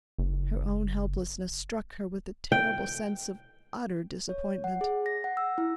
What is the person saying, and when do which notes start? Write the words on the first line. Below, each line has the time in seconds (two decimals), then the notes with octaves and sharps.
Her own helplessness struck her with the terrible sense of utter disappointment.
0.18 F#1
2.52 G5
4.29 C#5
4.64 F#5
4.81 G#4
5.06 A#6
5.24 F#5
5.37 E6
5.58 E4